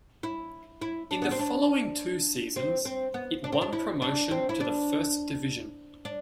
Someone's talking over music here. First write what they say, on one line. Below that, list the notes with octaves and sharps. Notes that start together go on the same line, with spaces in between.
In the following two seasons, it won promotion to the first division.
E4
E4
D4
B3
C4
D4
C4
C4
B3
D4
C4
D4
E4
D4
C4
E4
D4
D4